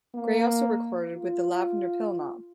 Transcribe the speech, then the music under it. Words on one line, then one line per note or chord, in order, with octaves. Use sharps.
Gray also recorded with the Lavender Pill Mob.
A#3
F4